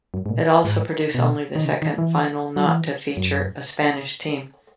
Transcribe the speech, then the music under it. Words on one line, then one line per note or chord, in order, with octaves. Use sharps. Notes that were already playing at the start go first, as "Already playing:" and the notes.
It also produced only the second final not to feature a Spanish team.
F#2
G#2
A#2
G#2
B2
D#3
C#3
D#3
E3
F#3
E3
F#2